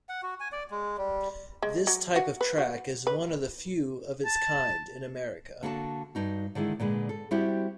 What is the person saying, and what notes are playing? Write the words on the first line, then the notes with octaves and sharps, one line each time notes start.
This type of track is one of the few of its kind in America.
F#5
F#4
G#5
D5
G#3
G3
G#3
F#3
F#4
B4
F#4
B4
A5
D3 A#3 F#4 D5 A5
G2 D#4 F#4
D3 D#3 G#3 E4
A#2 D3 G#3 B4
A4
G3 C4 E4 F#4 G4